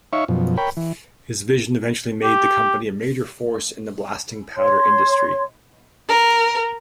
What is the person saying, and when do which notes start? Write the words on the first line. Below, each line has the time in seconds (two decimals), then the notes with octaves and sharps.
His vision eventually made the company a major force in the blasting powder industry.
0.13 D#4 C#5 E5 F5 C#6
0.28 F#2 B2 F3
0.57 A#4 C#5 G5 B5
0.77 E3
2.24 G4
4.57 C#5 C6
6.08 A#4